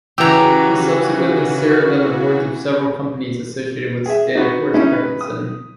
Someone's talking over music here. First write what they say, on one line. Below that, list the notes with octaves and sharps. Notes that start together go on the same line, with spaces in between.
He subsequently served on the boards of several companies associated with Staniforth Ricketson.
C#3 E3 F#4 G4 A#5 E6
G#4 E5
D#4 F#4 B4
C#4 D#4 E4
B4
D#6